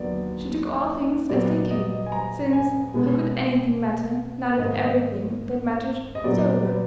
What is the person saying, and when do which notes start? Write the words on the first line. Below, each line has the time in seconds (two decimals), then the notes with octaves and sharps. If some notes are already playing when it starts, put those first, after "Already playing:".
She took all things as they came, since how could anything matter now that everything that mattered was over?
Already playing: D#2 D3 F#3 B3 D5
1.30 A#2 F#3 B3 D5
1.71 D#5
2.06 G#5
2.12 A#5
2.53 G#5
2.94 B2 G#3 B3
4.58 G#2 D#3 A#3 D#5
6.15 D#5
6.24 A#2 F#3 B3 D5
6.65 B4